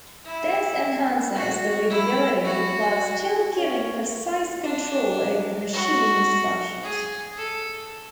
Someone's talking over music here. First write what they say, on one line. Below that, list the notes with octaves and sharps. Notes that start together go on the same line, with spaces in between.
This enhances the readability while still giving precise control over the machine instructions.
E4
F#4
E4
F#4
C#4
D4
F#4
G#4
A4